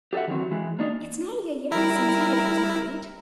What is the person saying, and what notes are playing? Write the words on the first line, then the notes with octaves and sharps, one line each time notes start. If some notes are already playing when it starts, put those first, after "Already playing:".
It's nearly a year since Edith was married!'
G4 A4 B4 E5 F#5
D#3 E3 F#3 C4
E3 G#3
A#3 D4 D#4
G3 E4 A#4